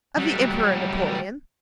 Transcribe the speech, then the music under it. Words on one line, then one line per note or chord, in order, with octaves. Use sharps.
Of the Emperor Napoleon?
F#3 G3